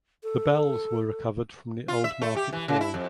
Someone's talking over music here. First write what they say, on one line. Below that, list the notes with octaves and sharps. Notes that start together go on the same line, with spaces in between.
The bells were recovered from the old market hall.
A4
F4
E5
A3
G4
E3
C#3
E4
F2